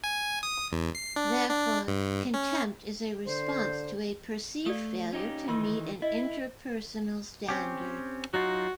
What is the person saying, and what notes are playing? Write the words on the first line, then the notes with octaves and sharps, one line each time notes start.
Therefore, contempt is a response to a perceived failure to meet an interpersonal standard.
G#5
D#6
E2
C7
D4
D4
G2
C#4
D3 C5
A3 D5 F5 D#6
C#4 D#4 G4
D#3 E3 D#4 F4 C6 E6
E4 D#5
C4 C#4 G4
F#3 D#4 F4 F#4